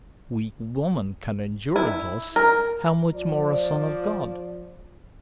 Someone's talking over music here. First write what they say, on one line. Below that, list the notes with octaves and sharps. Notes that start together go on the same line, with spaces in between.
If weak woman can endure thus, how much more a Son of God?
E4
A#4
F3 D5